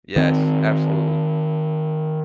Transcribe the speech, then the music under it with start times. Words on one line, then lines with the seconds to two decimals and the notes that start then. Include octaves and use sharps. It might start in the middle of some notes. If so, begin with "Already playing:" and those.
yes, absolutely.
0.16 D#3 C4